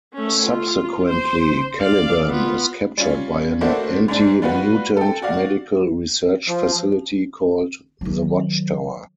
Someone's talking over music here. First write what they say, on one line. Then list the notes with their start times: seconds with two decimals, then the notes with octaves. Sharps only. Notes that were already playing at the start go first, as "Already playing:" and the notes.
Subsequently, Caliban is captured by an anti-mutant medical research facility called the Watchtower.
0.13 A3 C#4
0.44 F4
1.09 C5
1.80 D5 F5
2.28 B3 F4
2.98 G3 C#4 F4
3.61 A3 A#3 D4 E4 F#4 C5
4.08 G#2 D4
4.42 G3 F4 F#4 B4
4.97 A4 G5
5.22 F#4 D5 F5
6.48 F3
8.01 D#3 F#3